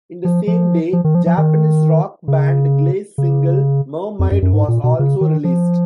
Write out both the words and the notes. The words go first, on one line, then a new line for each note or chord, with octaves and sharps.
In the same day, Japanese rock band Glay's single "Mermaid" was also released.
F3
F3
F3
D#3
F3
F3
D#3
C#3
C#3
F2
F#2
F#2
G#2
A#2
B2
C#3
D#3
F3